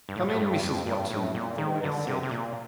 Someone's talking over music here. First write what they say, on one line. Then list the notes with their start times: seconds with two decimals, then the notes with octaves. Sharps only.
"Come in, Mrs. Watson," the lawyer said.
0.09 G2
0.16 A2
0.28 A2
0.40 G2
0.63 F2
0.86 G2
1.10 A2
1.35 A#2
1.58 D#3
1.83 D3
2.07 C3
2.23 C3
2.31 A#2